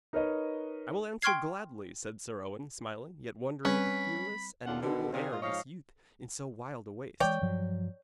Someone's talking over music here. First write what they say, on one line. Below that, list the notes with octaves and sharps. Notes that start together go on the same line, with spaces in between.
'I will answer gladly,' said Sir Owen, smiling, yet wondering at the fearless and noble air of this youth in so wild a waste.
D#4 A#4 B4 C#5 D#5
G5 C6 C#6 F6 G#6 C7
G3 C4 C#4 B4 B5
D#2 C#4 D4 F4 A4 F#5
B2 D3 D#3
C3 D#3 C4 G#4 D5 F5
A#2 F4 D#5
G#2 F3 C#5 D#5 F5
E3 G3 G#3 C#5 D5 G5
G2 F3 F#3